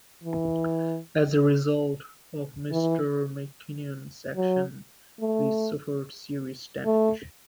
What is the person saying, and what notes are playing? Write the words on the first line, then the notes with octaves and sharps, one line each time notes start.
As a result of Mr McKinnon's actions, we suffered serious damage.
E3
E3
F#3
A3
A3